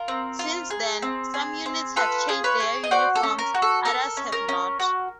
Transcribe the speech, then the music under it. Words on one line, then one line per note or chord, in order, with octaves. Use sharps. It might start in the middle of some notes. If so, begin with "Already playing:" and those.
Since then, some units have changed their uniforms, others have not.
Already playing: F4 A#4
C4
F4
G#4
C4
G#4
C4
F4 A4 B4
G#4
B4 C#5
G#4
D#5
F#4 C5 D5
A4
C#4
A#4
F#4
A4
A4 A#4
C#4
A#4
C#4
F#4